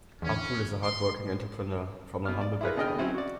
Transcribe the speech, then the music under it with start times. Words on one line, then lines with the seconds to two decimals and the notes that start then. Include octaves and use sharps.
Abdul is a hard working entrepreneur from a humble background.
0.22 E2 D3 C#4
0.83 C6
2.26 B2 F6
2.41 D5
2.61 E4 F4 G#4 A#4 B4
2.76 B2 D3 G#4 D#5 G5 F6
2.98 F#3 C4 C#4 E4
3.14 F#4 D5